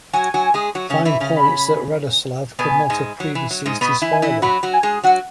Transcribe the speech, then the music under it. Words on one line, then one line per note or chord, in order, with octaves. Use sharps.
Fine points that Radoslav could not have predeceased his father.
F#3 F#4 G#5
F#3 F#4
G#3 G#4
F#3 F#4
C#3 C#4
E3 E4
C#3 C#4
B5
B2 B3 G#5
G#2 G#3
F#3
E3
F#3
G#2 G#3
B2 B3 B5
E3 E4
G#5
E3 E4
F#3 F#4 B5
F#3 F#4
G#5
G#3 G#4
F#3 F#4 F#5